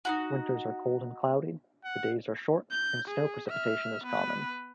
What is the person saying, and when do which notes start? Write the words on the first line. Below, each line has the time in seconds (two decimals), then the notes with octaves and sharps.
Winters are cold and cloudy; the days are short and snow precipitation is common.
0.05 D#4 E4 F#4
1.84 F#5
2.71 G6
3.08 G#4
3.48 E5 F6
4.04 B3 B4